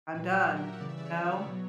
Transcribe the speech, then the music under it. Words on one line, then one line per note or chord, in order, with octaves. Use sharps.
"I'm done." You know?
A#2 F#3 B4
G4
F#4
G4
A#4
E5
F#5
C#3 E3 G3 D5
E5
D5
C#5
B2 F#3